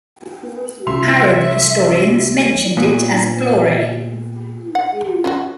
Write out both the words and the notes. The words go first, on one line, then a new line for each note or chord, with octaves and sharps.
Arab historians mentioned it as Blore.
C2 C#3 E5 C6 F7
A#2 B3
F#5
C#4 F4 F#4